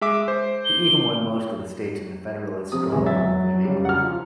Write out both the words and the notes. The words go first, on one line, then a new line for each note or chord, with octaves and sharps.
He even won most of the states in the Federalist stronghold of New England.
G#3 E5 D6
C5
G7
C3 F3 D#6
E1 E3 F#3 G#3
E5 A6
C#2 G3
F#5 F6
F3